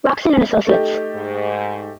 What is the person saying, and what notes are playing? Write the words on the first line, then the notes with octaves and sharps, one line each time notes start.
Locsin and Associates.
A3 D#4 G4
G#2